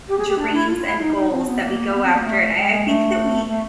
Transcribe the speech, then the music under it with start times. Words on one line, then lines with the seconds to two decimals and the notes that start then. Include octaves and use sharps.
dreams and goals that we go after, and I I think that we
0.08 G4
0.18 G#4
0.29 G4
0.38 D4
0.54 E4
0.70 F4
0.86 E4
1.01 D#4
1.16 D#4
1.32 C4
1.46 B3
1.62 A#3
1.93 B3
2.03 C4
2.14 A#3
2.24 A3
2.54 G#3
2.70 G#3
2.85 A3
3.47 A3